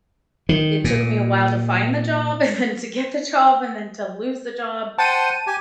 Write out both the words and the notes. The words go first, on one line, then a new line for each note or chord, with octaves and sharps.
It took me a while to find the job, and to get the job, and then to lose the job.
D#3
A#2
C5 F#5 G5 A5 D#7
G4 G#5